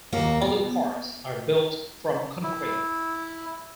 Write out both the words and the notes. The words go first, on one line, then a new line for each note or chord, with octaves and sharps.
Other parts are built from concrete.
D#2 A#3 F#4
B2
E4